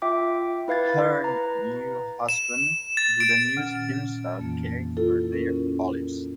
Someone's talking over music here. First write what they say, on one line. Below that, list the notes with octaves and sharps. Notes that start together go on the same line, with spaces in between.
Her new husband would amuse himself caring for their olives.
F4 E5 G5 D6
E4 B4 F5 G#6 A6
B4 A#5
E7
A6
D7
A#2 D#3 C#4 F#5 F6
F2 E3 A#3
E4 F4 A4
C#4 E4 A4 A#4